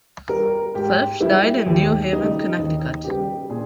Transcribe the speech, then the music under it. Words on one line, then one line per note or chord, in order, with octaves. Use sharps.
Phelps died in New Haven, Connecticut.
G3 A#4
G#2 G4
G3 E4
D#2 G4
C#3 G3 D#4
D#2 D#4
C#3 G3 G4
A#2 G#4